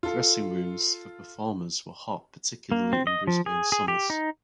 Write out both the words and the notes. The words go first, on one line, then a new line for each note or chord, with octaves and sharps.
Dressing rooms for performers were hot particularly in Brisbane summers.
F4 A4
A#3
C4
D#5
F3
G#4
G#4
G4
D#4